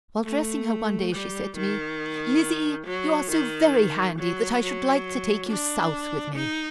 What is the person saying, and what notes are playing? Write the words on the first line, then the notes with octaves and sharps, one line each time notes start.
While dressing her one day, she said to me: "Lizzie, you are so very handy that I should like to take you South with me."
A3
G3
D#3
F#3
D#3
F#3
F#3
D4
D#4